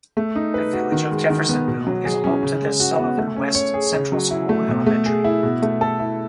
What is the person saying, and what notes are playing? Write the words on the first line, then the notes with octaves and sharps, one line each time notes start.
The Village of Jeffersonville is home to the Sullivan West Central School elementary.
A3
D#4
B4
F#4
D#3
G#3
D#3
B3
B2
F#3
G#4
C#4
C#3
G#3
F#4
B3
A3
C#4
C#5
G#4
C#3
F#3
E4
A3
B2
A3
G#4
E4
B2
A3
A4
E4